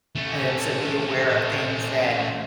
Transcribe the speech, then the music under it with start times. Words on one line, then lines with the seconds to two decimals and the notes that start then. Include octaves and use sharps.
and to be aware of things that
0.16 A3 C#4